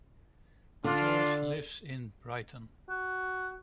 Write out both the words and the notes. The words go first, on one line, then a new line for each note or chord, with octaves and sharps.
Torres lives in Brighton.
D3 D4 F4
F#4